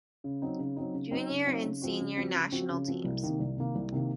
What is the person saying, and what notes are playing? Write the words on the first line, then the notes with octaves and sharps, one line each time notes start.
Junior and Senior National Teams.
C#3
F#3 C4 D#4
C#3
F#3 C4 D#4
C#3
F#3 C4 D#4
C#3
F#3 C4 D#4
C#3
F3 C4 F#4
C#3
F3 C4 F#4
C#3
F3 C4 F#4
C#3
F3 C4 F#4
C2
C3 D#3 A#3
C2
C3 D#3 A#3
C2
C3 D#3 A#3